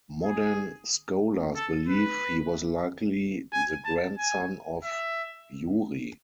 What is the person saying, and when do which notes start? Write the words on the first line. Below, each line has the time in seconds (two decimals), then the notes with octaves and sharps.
Modern scholars believe he was likely the grandson of Yuri.
0.24 G#4
1.56 A4
1.89 B4
3.53 G#5
3.85 A5
4.18 G#5
4.84 E5